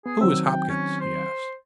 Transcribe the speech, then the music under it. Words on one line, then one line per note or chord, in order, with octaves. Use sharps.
"Who is Hopkins?" he asked.
B3 G#4
D#3 F#3 C4 E6
G5
C#4
C5